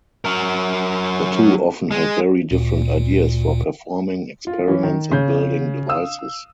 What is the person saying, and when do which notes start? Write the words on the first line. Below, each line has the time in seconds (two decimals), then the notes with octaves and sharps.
The two often have very different ideas for performing experiments and building devices.
0.25 F#3 A#4
1.91 G#3
2.51 D2 A#2
4.47 F4
4.68 E3 C#4
4.83 D#3
5.12 C#3 G6
5.89 F5 D#6 E6